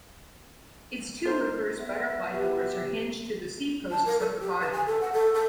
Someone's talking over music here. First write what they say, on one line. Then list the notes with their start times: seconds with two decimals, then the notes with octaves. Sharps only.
Its two reverse butterfly doors are hinged to the C-posts of the body.
1.25 D#4 C5
1.80 B3 E5
2.34 G4 B4 E5
3.91 A5
4.06 A#4
4.20 A4
4.40 G4
4.61 B4
4.72 G#5
4.87 A4
5.01 F#5
5.13 A4
5.34 A4